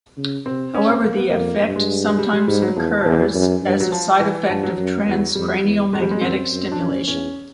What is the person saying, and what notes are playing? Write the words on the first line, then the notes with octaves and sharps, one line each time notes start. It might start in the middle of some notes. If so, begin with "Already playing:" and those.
However, the effect sometime occurs as a side effect of transcranial magnetic stimulation.
C#3
C3 C4
C#4
C4
A#3
B3
F2 A#3
G2
G#3
G#3
G3
G3
G#2 G3
F#3
E2 F3
F3
E2 E3
F#2
G2
F#3
F3
E3
G2 F3
F#3
F#2
E2
F2 G3
E2
F2 G#3
G3
G#3
F#2 C4
F#2
D4
F#2 C#4
E2 C#4